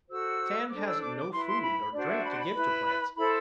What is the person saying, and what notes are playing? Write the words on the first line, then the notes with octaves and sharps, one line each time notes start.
Sand has no food or drink to give to plants.
F#4 A4 C5 E6
D4 A4 C5 D6
E6
D6
D6
E4 B4 C6
C6
B5
D4 F#4 C5 D5
E5
B5
C6
B5
E4 B4
E4 A4 C5 B5